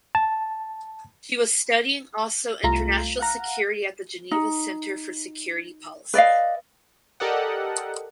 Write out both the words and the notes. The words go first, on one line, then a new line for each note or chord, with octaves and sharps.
She was studying also international security at the Geneva Centre for Security Policy.
A5
C2 A3 F4 A#5
F5 F#5 A#5
D#4
B4 D5 D#5 F5
G4 A4 A#4 D5 D#5 F#5